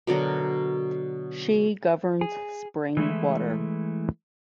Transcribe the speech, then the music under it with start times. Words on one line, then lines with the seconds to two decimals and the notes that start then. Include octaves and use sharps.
She governs spring water.
0.07 B2 D3 F#3 A#4
2.21 G#4
2.97 E3 G#3 A3 E4